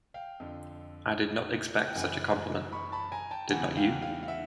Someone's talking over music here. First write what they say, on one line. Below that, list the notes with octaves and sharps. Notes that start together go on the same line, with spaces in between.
I did not expect such a compliment. Did not you?
F5 G5
F2 D3
G5
F#2 C#3 E3 F#5 G#5
B5 C#6
A5 B5
G#5 A#5
G5 A5
E2 C#3 E3 F#5 G#5
F5 G5
F5 G5
F5
E5 F#5